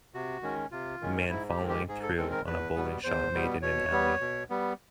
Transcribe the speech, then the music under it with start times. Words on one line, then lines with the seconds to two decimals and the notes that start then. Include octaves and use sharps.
Man following through on a bowling shot made in an alley.
0.14 C3 F#4
0.42 D#3 G#3 C#4
0.72 C3 F4
1.01 D#3 G#3 C#4
1.30 G#2 E4
1.50 G4
1.59 D#3 G#3 C4
1.69 G4
1.88 G#2 G#4
2.03 A4
2.17 D#3 G#3 C4 A4
2.32 A#4
2.46 E2 B4
2.75 B2 G3 B3
3.04 E2 C5
3.33 B2 G3 B3
3.62 B2 C#5
3.92 G3 B3
4.21 B2
4.50 G3 B3